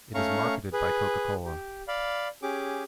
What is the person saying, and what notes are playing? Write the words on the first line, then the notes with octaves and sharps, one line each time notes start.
It is marketed by Coca-Cola.
A3 C#4 F5 A#5 C#6
G#4 B4
G4
D5 F5 B5
C#4 G4 G#4 D6